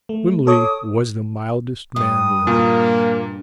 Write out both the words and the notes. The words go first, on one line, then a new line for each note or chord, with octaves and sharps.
Wimley was the mildest man living.
A3
A4 C#5 D6 D#6
G2 D#6
A#2 A#3